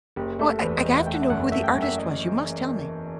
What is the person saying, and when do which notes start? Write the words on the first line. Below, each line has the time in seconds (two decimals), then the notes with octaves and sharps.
Oh, I I have to know who the artist was, you must tell me.
0.16 F#1 G4
0.39 A3 A4
0.62 E2 B4
0.77 D#5
0.85 E2
0.93 F#5
1.07 A3 G5
1.14 F#5
1.22 E5
1.30 F#2 F#5
1.52 A3 E5
1.64 G5
1.67 F#5
1.75 F#2
1.82 E5
1.98 D#5